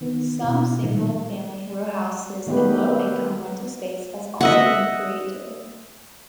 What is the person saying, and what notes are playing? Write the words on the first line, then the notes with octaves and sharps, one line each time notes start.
Some single-family rowhouses and low-income rental space has also been created.
D#3 B3
B2 E4
A#2 D#3 F3 G3 G#3
D#3 G#3 A3 B3 G4 B4
D#5 E5 F#5